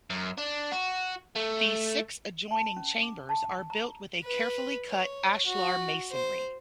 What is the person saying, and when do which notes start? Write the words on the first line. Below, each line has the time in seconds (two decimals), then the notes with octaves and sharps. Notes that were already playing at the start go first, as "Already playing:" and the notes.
These six adjoining chambers are built with a carefully cut ashlar masonry.
0.10 F#2
0.38 D4
0.71 F#4
1.35 A3
2.51 A5
2.76 C#4
3.03 D6
3.29 A5
3.70 A#5
4.24 B4
4.89 C#5
5.46 F#4
6.11 C5